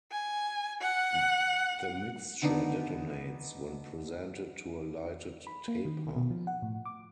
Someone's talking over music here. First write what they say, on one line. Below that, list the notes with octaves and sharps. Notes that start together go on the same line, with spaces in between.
The mixture detonates when presented to a lighted taper.
G#5
F#5
D3 D#3 B3 D4 D#4
B5
A#3
D#3
B2
F3
F#5
A2
D6